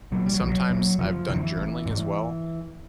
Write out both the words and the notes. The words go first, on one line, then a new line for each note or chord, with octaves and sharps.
sometimes I've done journaling as well.
A#2 F#3
G3
F#3
B1 F3
F#3
A#2
F#1 F3
F#2 D3 E3
A1
G#2